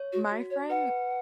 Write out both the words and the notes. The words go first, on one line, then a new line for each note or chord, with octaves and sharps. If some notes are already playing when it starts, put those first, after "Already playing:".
My friend,
Already playing: C#5
F#4
F#4
C#5
B4 F#5